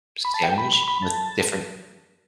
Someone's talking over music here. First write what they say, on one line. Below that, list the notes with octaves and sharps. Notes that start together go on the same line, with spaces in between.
s sandwich with different
B5
A5
G5
B5
B5
B5
A5